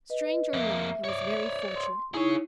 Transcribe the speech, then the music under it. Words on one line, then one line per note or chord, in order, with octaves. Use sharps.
Strange or not, it was very fortunate.
B4 D#5
F2 A#3 E5
C#5 D5
C6
D#4 E4 G#4 C#5